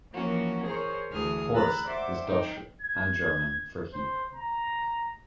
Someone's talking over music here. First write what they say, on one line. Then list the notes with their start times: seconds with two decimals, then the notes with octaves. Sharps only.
"Horst" is Dutch and German for "heap".
0.14 E3 F3 A#3 C#4 F#4
0.64 G#4 A#4 C5 C#5
1.12 D2 D3 E3 G#4 D#6 F6
1.55 A#5 B5 E6 F#6 A6
1.85 C5 D5 E5 F#5 D6
2.23 D#4 G5
2.82 G#6
3.93 C5
4.35 A#5